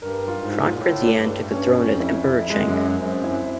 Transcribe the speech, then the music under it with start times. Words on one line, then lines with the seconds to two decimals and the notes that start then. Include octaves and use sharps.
Crown Prince Yan took the throne as Emperor Cheng.
0.02 G2 A#4
0.28 F4
0.40 G#2
0.53 F4
0.72 A#2
0.76 A2 F4
1.02 D4
1.14 G2
1.26 A3
1.51 G2 C#4
1.76 C#4
1.88 F2
2.00 E4
2.25 F2 E4
2.50 F2 G#3
2.63 F#2
2.75 G#3
2.99 F#2 C4
3.24 F#2 E4